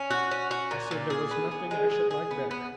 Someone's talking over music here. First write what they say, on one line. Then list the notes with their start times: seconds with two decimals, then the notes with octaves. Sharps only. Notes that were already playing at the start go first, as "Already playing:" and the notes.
I said there was nothing I should like better.
Already playing: C#4
0.10 F#4
0.31 C#4
0.51 F#4
0.71 A#2
0.91 A#2
1.10 G#4
1.31 B3
1.51 G#4
1.71 G#3
1.91 G#4
2.10 G#4
2.31 B3
2.51 B3